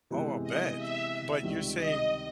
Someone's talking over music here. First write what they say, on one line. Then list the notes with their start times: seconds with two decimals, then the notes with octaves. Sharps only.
Oh, I'll bet. But you're saying
0.10 C3 E3 G#3 B3
0.43 D#5
0.76 E5
1.42 C#2 C3 D#3 G3
1.74 D#5